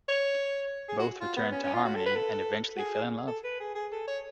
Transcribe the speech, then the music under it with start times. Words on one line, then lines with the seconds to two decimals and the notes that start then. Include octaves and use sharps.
Both returned to Harmony and eventually fell in love.
0.09 C#5
0.89 G#4
0.99 F#4
1.21 F4
1.37 B3
1.52 C#4
1.64 C#4
1.74 F4
1.85 F#4
1.95 A4
2.06 B4
2.16 A4
2.76 F#4
2.79 G#4
3.28 A4
3.44 B4
3.60 G#4
3.75 G#4
3.92 A4
4.08 C#5